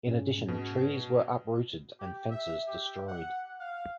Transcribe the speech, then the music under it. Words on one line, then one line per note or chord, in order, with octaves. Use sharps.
In addition, trees were uprooted, and fences destroyed.
G#2 C#4 G#4
B2
G4
E5
G4
F#5
F5